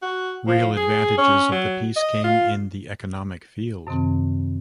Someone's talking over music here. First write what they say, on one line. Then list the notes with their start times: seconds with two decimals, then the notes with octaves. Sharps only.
Real advantages of the peace came in the economic field.
0.02 F#4
0.47 F3
0.77 G#4
1.18 C#4
1.52 F#3
1.96 D#5
2.24 F4
3.87 F#2 C3 D#3 C4